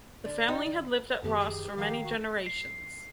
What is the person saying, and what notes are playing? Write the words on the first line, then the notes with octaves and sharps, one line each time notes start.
The family had lived at Ross for many generations.
D3 D5
D#4 F#4 G5
D#3
C5 D#5
F#2 D#3 F3 B3 G4
G4 G#4
D#3 F3 F5
F#4
C7